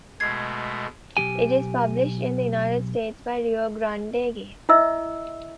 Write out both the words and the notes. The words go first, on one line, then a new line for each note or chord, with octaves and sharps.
It is published in the United States by Rio Grande Games.
B2 G#3 A3 G#6 C7
B1 F3 G4 G#5
E4 D#5 E5 E6